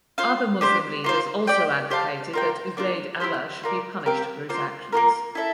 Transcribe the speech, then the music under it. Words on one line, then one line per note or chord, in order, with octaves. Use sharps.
Other Muslim leaders also advocated that Ubayd Allah should be punished for his actions.
F4 C5 F5
D4 G4 C5
A#3 F4 C5
G4 D5 G5
G4 C5 F5 A5
F4 A#4 D5 G5
A#3 D4 F4
E4 G4 C5
F4 A#4 D5
C4 G4 A#4 F5
A#3 F4 C5
A#3 D4 F4 A#4
E4 A4 E5